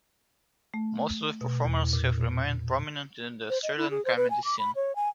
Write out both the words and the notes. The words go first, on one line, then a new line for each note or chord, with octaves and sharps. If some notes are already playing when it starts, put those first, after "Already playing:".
Most of the performers have remained prominent in the Australian comedy scene.
A3
B2
E2
A#2
C5
D#5
E4
G#4
C5
B4
G#5
D6
B5
C#5
G#5